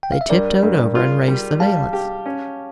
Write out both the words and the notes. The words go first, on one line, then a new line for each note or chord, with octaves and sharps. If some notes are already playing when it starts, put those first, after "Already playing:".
They tiptoed over and raised the valance.
G5
F5
E5
G2 A#4 D5
G2
F4
G3
G3 F5 A5
G4
C#4